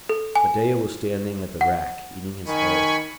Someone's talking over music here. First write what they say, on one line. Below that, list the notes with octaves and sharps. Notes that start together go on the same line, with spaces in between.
Medeah was standing at the rack, eating his hay.
A4
G#5
F#5
D#3 G#5 B5 C#6